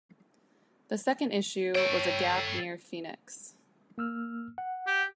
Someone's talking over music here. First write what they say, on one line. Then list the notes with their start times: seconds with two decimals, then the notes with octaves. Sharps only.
The second issue was a gap near Phoenix.
1.75 A4 C#5 G5
3.98 A#3 E6 F6
4.58 F#5
4.87 G4